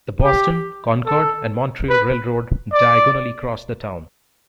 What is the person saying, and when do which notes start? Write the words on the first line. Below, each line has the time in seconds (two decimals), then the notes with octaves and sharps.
The Boston, Concord and Montreal Railroad diagonally crossed the town.
0.23 G4
1.06 A4
1.89 B4
2.73 D5